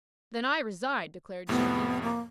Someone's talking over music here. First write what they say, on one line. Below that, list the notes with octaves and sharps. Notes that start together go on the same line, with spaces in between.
"Then I resign," declared Chunky.
F2 A2 C3 B3
A#3